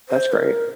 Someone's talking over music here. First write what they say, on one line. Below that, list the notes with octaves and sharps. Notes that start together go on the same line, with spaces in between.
That's great.
C5
A#4